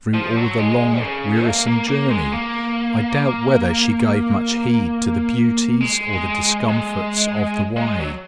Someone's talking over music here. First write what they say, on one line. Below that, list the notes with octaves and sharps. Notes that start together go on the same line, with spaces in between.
Through all the long, wearisome journey, I doubt whether she gave much heed to the beauties or the discomforts of the way.
F3
F#3
G#3
C#3
A#3
A#3
A#3
G#3
A#3
G#3
G#3
G#3
F#3